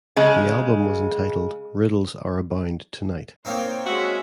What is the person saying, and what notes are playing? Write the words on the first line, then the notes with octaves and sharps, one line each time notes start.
The album was entitled "Riddles Are Abound Tonight".
C#3 G#3
A#3 C4 D#4 C#5 G5
G#3 C#4 F#4 E5